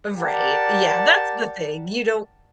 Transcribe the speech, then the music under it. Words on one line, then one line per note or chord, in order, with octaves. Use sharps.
Right, yeah, that's the thing, you don't
G4 A#4 D5 F#5 A5